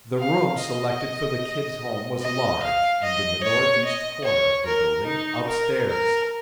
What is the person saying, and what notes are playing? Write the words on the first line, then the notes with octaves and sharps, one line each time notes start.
The room selected for the "Kid's" home was large, and in the northeast corner of the building, upstairs.
F5
D#5
D#5
F5
D#5
C#5
D#5
C#5
A#4
D#4
A#4
A#4